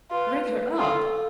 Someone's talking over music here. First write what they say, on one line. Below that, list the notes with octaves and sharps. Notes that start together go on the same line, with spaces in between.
"Rang her up?"
F4 B4
A#4
F4 A4